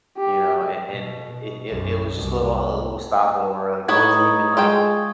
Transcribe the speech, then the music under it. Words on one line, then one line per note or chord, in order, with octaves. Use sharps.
You know? And and it it it was just a little a little stopover, like, it wasn't even, like
G4
B2
B1 F#2
C2
A2 D#4 E4 B4 C#5 C#6 D#6 G#6
G#3 F4 A4 G5